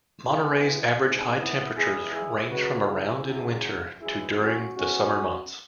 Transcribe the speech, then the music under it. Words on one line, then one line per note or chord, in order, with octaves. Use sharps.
Monterey's average high temperatures range from around in winter to during the summer months.
E2 E3 G#3 B3 E4
G#1 G#2 G#3
B3 E4
E2 E3 G#3 E4 G#4
E4 G#4
C#2 C#3 F#3 F#4 B4
E4 G#4
F#2 C#3 F#3
F#2 E3 G#3 E4 G#4
C#4 F#4
B1 B2 G#3 C#4 F#4